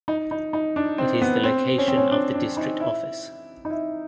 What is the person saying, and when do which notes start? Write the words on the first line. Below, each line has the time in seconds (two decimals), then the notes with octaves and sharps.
It is the location of the district office.
0.08 D#4
0.31 D#4
0.53 D#4
0.76 D4
0.98 C4
1.21 B3
1.44 C4
1.78 C#4
1.88 C4
1.97 C#4
2.11 D4
2.34 D4
2.57 D#4
2.80 E4
3.65 D#4
3.70 E4